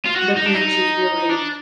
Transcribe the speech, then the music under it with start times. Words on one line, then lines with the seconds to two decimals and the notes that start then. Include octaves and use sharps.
the beach is really,
0.06 F4
0.16 F#4
0.37 D#4
0.46 D4
0.55 D#4
1.29 D4